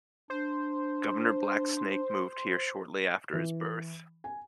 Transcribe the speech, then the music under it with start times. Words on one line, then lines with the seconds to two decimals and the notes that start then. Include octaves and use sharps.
Governor Blacksnake moved here shortly after his birth.
0.30 D4 C5
3.33 E3
4.24 G#5